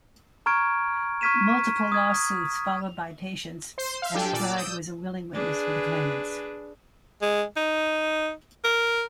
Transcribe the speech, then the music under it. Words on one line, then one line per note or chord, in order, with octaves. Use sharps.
Multiple lawsuits followed by patients and McBride was a willing witness for the claimants.
A#5 C#6 F6 G#6 D7
C#6 F6 G#6 B6 D#7 E7
D#6 G#6
C5 C6
E5 F5
D4 G4 A4 G5 G#5
A#2 D5 E6
D#6 E6 G6
D4 G#4 B4
G#3
D#4
A#4